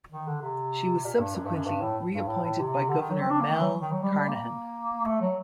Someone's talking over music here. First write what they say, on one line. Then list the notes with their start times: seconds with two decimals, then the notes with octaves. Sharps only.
She was subsequently re-appointed by Governor Mel Carnahan.
0.12 D#3
0.27 D3
0.42 C3
1.04 A#2
1.19 G2
1.35 F#2
1.45 G2
1.56 F#2
1.66 G2
1.81 A2
2.12 G2
2.27 A2
2.44 A2
2.59 C3
2.89 D3
3.00 D#3
3.10 F#3
3.20 C4
3.30 D4
3.40 A#3
3.50 D#3
3.61 F#3
3.82 D#3
3.92 F#3
4.03 G3
4.13 G3
4.28 A#3
5.05 A3
5.21 F#3